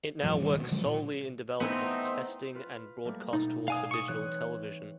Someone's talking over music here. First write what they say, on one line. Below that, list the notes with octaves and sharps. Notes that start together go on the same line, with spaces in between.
It now works solely in development, testing, and broadcast tools for digital television.
D#1 G#2 E3 F#3
E1 D#3 G3
B2
D3 F3 F#3 G#3
A#2
A3 B3 C4 D#4 E4
F4 B4
G3 A3 A#3
B2 D#4 A6
D5 F5 G#5 D#6 F#6
C#6 D#6
E3 C4 C#5 F#6